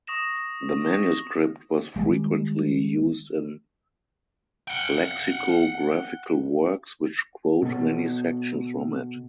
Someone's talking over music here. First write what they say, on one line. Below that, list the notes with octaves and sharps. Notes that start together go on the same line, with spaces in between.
The manuscript was frequently used in lexicographical works which quote many sections from it.
C#6 D#6 A#6 E7
D#3 G3 G#3
F#5 G5
B2 A4